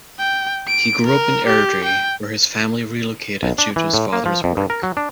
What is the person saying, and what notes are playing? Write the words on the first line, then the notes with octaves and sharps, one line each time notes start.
He grew up in Airdrie, where his family relocated due to his father's work.
G5
D7
A#4
G4
G5
B1
D4
E3
A2
A#3
F3
F2
G2
A#4
F#3
D4